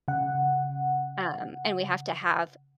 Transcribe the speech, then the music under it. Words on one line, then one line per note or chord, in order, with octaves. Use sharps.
um, and we have to have
C#3 F#5